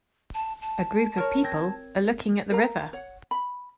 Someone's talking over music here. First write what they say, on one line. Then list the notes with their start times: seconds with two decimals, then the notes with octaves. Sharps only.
A group of people are looking at the river.
0.34 A5
0.61 A5
1.18 A#4 C#5
1.44 C4 G#6 A#6
2.52 A#4 F5 A#5
2.93 C#5 F#5
3.31 B5